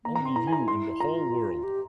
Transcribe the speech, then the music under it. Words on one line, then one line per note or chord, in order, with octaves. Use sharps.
Only you in the whole world.
A#3 A#5
A#5
C4 C6
E4 A#5
G#5
A#5
C6
F4 A#5
G4